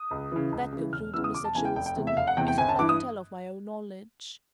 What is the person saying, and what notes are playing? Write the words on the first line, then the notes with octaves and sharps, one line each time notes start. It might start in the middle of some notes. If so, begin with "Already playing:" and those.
That," concluded Mr. Chilstone, "is all I can tell of my own knowledge.
Already playing: D#6
C#2
C#3 E3
C#2
C#3 E3
E1 F6
E2 C#3 E3 E6
D#6
E1 D6
A5
E2 C#3 E3 G#5
G5
F1 G5
G5
E2 C3
E5
F1 F5
F#5
E2 C3 G5
G5
G1 G#5
A5
G2 E3 D6
D#6